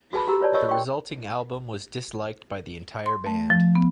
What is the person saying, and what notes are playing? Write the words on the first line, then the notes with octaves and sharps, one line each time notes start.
The resulting album was disliked by the entire band.
F#4 G#4 B4 A5 B5
F#4 G4 A#5 E6
F4 B4 C#5 D5 A5
F4 A#4 C#5 D#5 C#6 E6
G5 C6 C#6
C6
A3
F3
B3